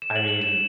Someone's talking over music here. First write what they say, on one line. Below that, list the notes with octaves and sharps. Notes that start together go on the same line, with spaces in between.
I mean,
E7
F#7
F#7
E7